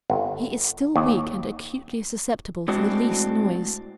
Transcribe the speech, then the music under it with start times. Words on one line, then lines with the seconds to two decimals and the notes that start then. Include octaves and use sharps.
He is still weak and acutely susceptible to the least noise.
0.10 G1
0.96 D#2
2.68 A2 G#3 C4 D4 F#4